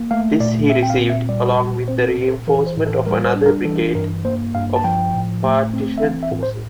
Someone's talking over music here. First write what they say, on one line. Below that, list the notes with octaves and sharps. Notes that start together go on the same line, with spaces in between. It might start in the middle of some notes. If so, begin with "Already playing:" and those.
This he received, along with the reinforcement of another brigade of Partisan forces.
Already playing: A#3
A3 F5
A#2 D5
C4 E5
G5
F5
A#2
E5
G3 D5
A#2
C4 C5
A4
A#2
A4
E3 A#4
C5
A2
A4
G3 A#4
C5
D4
A#4
E3 A4
G2 A#4
A#3 C5
G2 F5
A5
F3 G5
A2
A3
C4
E5
E3 F5
E5
A2
C5